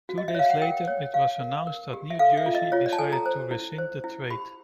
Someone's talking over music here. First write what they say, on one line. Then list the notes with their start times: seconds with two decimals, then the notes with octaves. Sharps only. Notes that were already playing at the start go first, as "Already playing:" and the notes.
Two days later, it was announced that New Jersey decided to rescind the trade.
0.09 F#4
0.18 D#5
0.28 E5
0.35 C#5 F5
0.50 F#5
0.62 A#4 G5
0.87 C#5
1.14 G4 F5
1.40 A#4
1.67 A#4
1.94 G4
2.10 E5
2.19 A4 F5
2.38 E5
2.46 F4
2.55 D#5
2.72 F4 C#5
2.86 D5
2.93 A5
2.98 A4 G#5
3.13 A#5
3.26 C5
3.51 E4
3.78 C5
4.04 E4
4.31 G4 B5